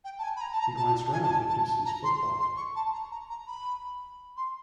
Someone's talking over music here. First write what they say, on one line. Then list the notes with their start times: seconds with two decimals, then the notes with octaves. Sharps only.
He glanced round at Gibson’s footfall.
0.04 G5
0.19 A5
0.23 G#5
0.36 B5
0.41 A#5
0.52 A5
0.59 A#5
0.77 A5
0.95 A5
1.12 G#5
1.23 A5
1.31 G#5
1.49 A5
1.67 A5
1.85 A#5
2.03 C6
2.21 C6
2.39 C6
2.56 C#6
2.76 A5
2.93 A#5
3.11 A#5
3.30 A#5
3.47 B5
4.37 C6